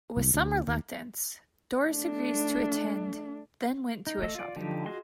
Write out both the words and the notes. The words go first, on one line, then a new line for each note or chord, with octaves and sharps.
With some reluctance, Doris agrees to attend then went to a shopping mall.
C2
D2
D#2
A3 D4
D#4
A3 D#5 E6
F4 D5
D3 F3 D#4 G4
F4 F#4 G#4 D#5 C6